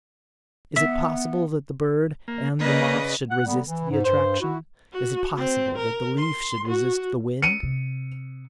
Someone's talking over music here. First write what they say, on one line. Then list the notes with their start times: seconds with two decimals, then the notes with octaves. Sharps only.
Is it possible that the bird and the moth should resist the attraction? Is it possible that the leaf should resist the wind?
0.76 B3 E5
2.28 A#3
2.61 C#3 A#3 B4 D5 D#5
3.30 F#5
3.45 D3 G3 A#3 B3
3.66 E3
3.90 G#2
4.04 G2 C5
4.40 E4 F#4
4.93 F#4
5.37 C4
5.78 A#4
6.18 C6
6.68 F#4
7.42 C#7 D#7
7.63 C3